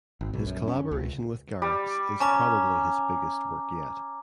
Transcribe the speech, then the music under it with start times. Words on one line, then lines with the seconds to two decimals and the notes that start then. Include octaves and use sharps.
His collaboration with Garrix is probably his biggest work yet.
0.21 G#1
0.33 B1
0.47 F#2
0.68 C#4
0.91 C#2
1.62 G3
2.20 C#4 A5 A#5 D6